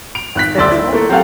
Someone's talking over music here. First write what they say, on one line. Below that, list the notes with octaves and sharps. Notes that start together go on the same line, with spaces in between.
finish at home.
D7 F7
G#1 F#6 B6
D2 D5 C6 E6
E4
A3 A#3
F#3 C4 G4 A4 F5 F#5